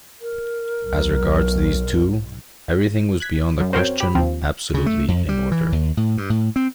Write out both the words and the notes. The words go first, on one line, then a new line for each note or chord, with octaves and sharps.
As regards these two, everything was beyond a question absolutely in order.
A#4
B1
F#6 G#6 B6
F#2
C4 F#4 A#4 C5 C#5 G5
G4 B5
D#2 F3 C4
C#3
A3
F2
G3
E3
D#2
A2
G2
A2
C4